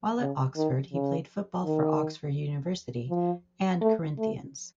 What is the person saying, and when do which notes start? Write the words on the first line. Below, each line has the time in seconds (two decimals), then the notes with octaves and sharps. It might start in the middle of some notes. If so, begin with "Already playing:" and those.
While at Oxford he played football for Oxford University and Corinthians.
0.20 C#3
0.56 D#3
0.93 C#3
1.64 D#3
3.09 F3
3.81 A3
4.18 A3